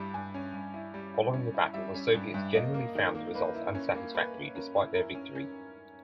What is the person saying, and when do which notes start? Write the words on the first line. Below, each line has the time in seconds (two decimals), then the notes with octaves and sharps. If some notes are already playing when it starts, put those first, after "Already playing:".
Following the battle, the Soviets generally found the results unsatisfactory, despite their victory.
Already playing: G2 G3 E4
0.14 G2 G#5
0.34 C#4
0.54 G2
0.74 E4
0.94 G3
1.14 E4
1.33 C#4
1.54 E4
1.74 G3 E5
1.94 C#4
2.14 G2
2.34 G2
2.55 A#3 D#5
2.74 A#3
2.95 D#3
3.15 A#3
3.34 A#3 B4
3.55 E4
3.75 C#4
3.95 A#3
4.14 A#3 B4
4.35 A#3
4.55 C#4 A#4
4.75 E4
4.95 E4 A#4
5.15 C#4
5.35 C#4